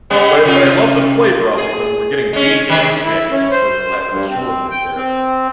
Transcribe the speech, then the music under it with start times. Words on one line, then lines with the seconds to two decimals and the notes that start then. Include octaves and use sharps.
But it but I love the flavor of 'em, and we're getting beef and chicken, so we'll have an assortment there.
0.10 C#3 G3 B3
0.45 C3 F4
1.58 G#4
2.33 G#3 C#4
2.69 D#3 G#3 D4
3.04 E4
3.31 C#4
3.51 C5
4.09 G2
4.30 C4
4.71 G5
4.96 C4